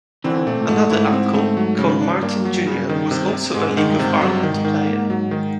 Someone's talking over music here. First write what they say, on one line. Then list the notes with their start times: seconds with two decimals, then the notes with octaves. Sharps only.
Another uncle, Con Martin Junior, was also a League of Ireland player.
0.24 D3 E3 C4
0.46 A#2 A3
0.61 A2
0.69 G#2 A3
0.90 G#2 E4
1.13 C4
1.34 A3
1.57 F#3
1.79 C#3
2.01 D4
2.22 G2 A#3
2.45 F#3
2.67 C#3
2.89 D#3
3.11 C3
3.33 C3
3.54 G#2 G#3
3.72 G#2
3.77 D#3
3.88 G2
3.99 C3
4.04 G#2
4.21 G2 F#3
4.43 D#3
4.54 G#2
4.65 D#3
4.87 A#3
5.10 F#3
5.31 D#3